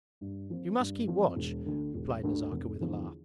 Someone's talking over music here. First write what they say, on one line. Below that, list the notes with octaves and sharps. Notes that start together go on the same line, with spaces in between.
You must keep watch,' replied Nazarka with a laugh.
G2
F3 C4
G2
F3 C4
E1
D2 D3
E1
D2 D3
F1
E2 D3 F3